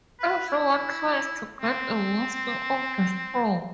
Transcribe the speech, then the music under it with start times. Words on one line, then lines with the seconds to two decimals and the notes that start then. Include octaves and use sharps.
Everyone tries to get a wisp of the straw.
0.20 B4
0.48 E4
1.61 C4